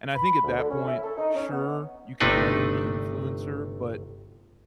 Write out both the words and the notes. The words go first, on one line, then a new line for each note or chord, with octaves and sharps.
And I think at that point, sure, you can blame the influencer, but,
B5
D2
D3
C#4
E4
A4
D#4
C#4
B3
G1 C3 A3 D4 D#4 B4